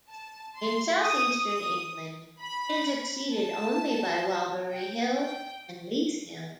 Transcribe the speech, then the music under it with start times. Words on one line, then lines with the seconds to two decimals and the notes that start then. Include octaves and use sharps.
In southeastern England it is exceeded only by Walbury Hill and Leith Hill.
0.11 A5
0.56 C6
1.02 D#6
1.49 D#6
2.40 B5
3.32 A5
4.70 G5
5.16 G5